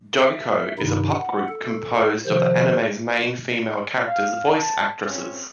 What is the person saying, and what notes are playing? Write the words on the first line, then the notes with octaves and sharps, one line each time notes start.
DoCo is a pop group composed of the anime's main female characters' voice actresses.
E5
G2 C3 D#3 D#4 E4
F#5
A4
C3 D#3 F3 C5
F5
A5
C4 C#4 F4 G#4